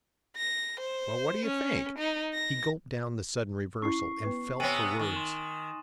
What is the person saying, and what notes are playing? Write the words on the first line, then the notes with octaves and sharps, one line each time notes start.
Well what do you think--' He gulped down the sudden reversal and felt for words.
A#6
C5
C#4
D#4
A#6
C#4 E4 C#6 C7
B3 B4
C3 B3 C#5 G5 G#5 D#7 F#7
D#3 A6
C6 E7